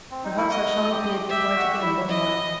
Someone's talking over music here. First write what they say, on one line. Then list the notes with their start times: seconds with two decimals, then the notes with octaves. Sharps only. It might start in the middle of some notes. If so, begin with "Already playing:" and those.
Perhaps I shall not be able to write again one while.
0.11 C4
0.24 D#4
0.37 E4
0.50 F#4 D#5
0.82 A4
0.90 G4
1.29 G4 E5
1.49 G4
1.56 F#4
1.82 E4
2.09 E4 D#5